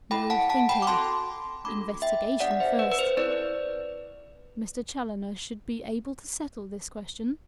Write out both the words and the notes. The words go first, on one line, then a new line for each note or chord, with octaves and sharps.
No thinking! investigation first. Mr. Challoner should be able to settle this question.
A3 E4 A4 G5 B5
F#5 A5
F#5 A5
G5 B5
D6
C4 F#4 A4 A5 C6
A3 D4 F#4 A4 B5 D6
E5 G5
B3 D4 G4 D5 F#5
F#5
C5 E5
B4
B4
C5
C4 E4 A4 B4 D5